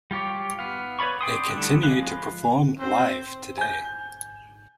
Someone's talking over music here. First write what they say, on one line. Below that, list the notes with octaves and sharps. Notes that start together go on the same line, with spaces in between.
They continue to perform live today.
G3 F4 G4 C#5
B3 F5
B4 C#5 D5 B5 C#6
D5 G5 C6 D#6
D3 G3 A3 D4 E4
F3 G#3 F5 B5 F#6
C4 C5
G#5 G6